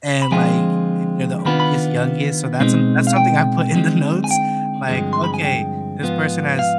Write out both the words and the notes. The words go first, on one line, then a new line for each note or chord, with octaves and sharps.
and, like, if they're the oldest, youngest, so, that's an that's something I put in the notes, like, "Okay, this person has
B5
D3 F3 G#3 C4 F4 G#5
D#3 B3 D4 F4 B5
B5
B2 G#3 C4 D#4
F5
G5
D3 G#3 C4 D#4
G#5
G5
G2 D3 F3 G#3 C4
C6
B5
G#5
G5
G#2 F3 B3 F4
F5